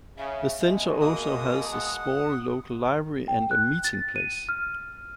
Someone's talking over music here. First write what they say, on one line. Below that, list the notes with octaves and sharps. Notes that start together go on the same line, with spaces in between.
The centre also has a small local library and a meeting place.
C#3 E5
B2 G#3
A#3 F#4 D#6
F#5 D#6
G5
F#6
A6
D#7
F6